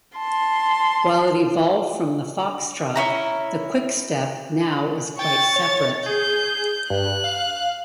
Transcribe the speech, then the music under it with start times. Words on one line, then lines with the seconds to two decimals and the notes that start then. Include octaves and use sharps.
While it evolved from the foxtrot, the quickstep now is quite separate.
0.18 A5 C6
2.96 C#4 E4 A#5
5.19 G5 C#6 A6
5.56 C#5
6.06 G#4 G6
6.90 G2 F#6
7.24 F5